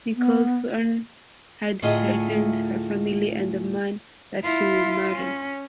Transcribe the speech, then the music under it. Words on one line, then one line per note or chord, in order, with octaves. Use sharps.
Nicholson had threatened her family and the man that she would marry.
B3
D2 A2 A3 F4 G#4 D#5
E4 F4
C#4